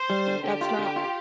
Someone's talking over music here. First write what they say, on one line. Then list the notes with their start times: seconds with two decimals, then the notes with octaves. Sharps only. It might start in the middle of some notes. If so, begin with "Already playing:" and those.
that's not
Already playing: C5
0.10 G3
0.27 D3
0.44 D3 G4
0.61 F4
0.78 D3
0.96 F4